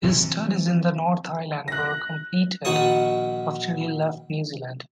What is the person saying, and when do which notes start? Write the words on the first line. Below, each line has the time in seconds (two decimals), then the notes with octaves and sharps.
His studies in the North Island were completed after he left New Zealand.
0.04 C3 E3 F3
1.68 F#6 A#6
2.65 A#1 D#3 F#4 A5 C#6 D#6